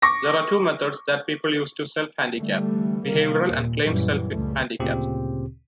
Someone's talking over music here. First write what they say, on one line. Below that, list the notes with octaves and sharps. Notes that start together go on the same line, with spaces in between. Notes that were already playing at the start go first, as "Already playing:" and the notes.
There are two methods that people use to self-handicap: behavioral and claimed self-handicaps.
C#6 D6 A#6
D3 E3 G3 A3
C3 D#3 G3 A#3
D#2 A#2
F#2 A#2 E3 G3
C#2 C#3 G3 A3
D2 A#2 C#3 C4 G4